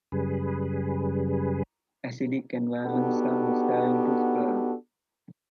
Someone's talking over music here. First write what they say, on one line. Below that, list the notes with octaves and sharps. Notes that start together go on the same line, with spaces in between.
Acidic environments are hostile to sperm.
F#2 C#3 G3 G#4 B4
B3 D4 D#4 F#4 G4 A4